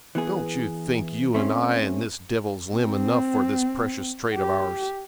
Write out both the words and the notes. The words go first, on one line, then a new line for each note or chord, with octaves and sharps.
Don't you think you and I and this devil's limb enough for this precious trade of ours?'
E3 B3 G#4
A3 C4 C#4
C4
G4